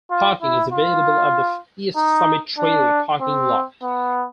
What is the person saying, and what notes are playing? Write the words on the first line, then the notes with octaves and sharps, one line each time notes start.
Parking is available at the East Summit Trail parking lot.
F4
E4
F4
D#4
D4
C4
B3